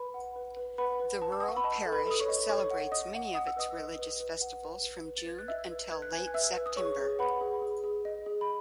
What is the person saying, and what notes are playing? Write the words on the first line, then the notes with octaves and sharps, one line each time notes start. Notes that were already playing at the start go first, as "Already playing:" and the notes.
The rural parish celebrates many of its religious festivals from June until late September.
Already playing: B4 B5
F#5
B4
B4
B4 F#5 B5
B4
B4 A5
E6
F#5 D#6
C#6
B5
D#5 A5
A4
B4 B5
A4 D#6
C#5 C#6
D#5
A4 C#5 C#6
F#5
D#5 D#6
F#5
F#5 D#6
E6
B4 D#5 D#6
D#5
B4
B4
F#5
B4
B4
B4
A6
B4 G#6
F#6
D#5 E5 E6
B4
B4 G#6
F#6
B4 G#5 G#6
F#6
B4 E5 E6
B4
D#6
G#4 C#5 C#6
G#4
B4 F#5 B5
G#4
G#4
G#4
D#5
G#4
B5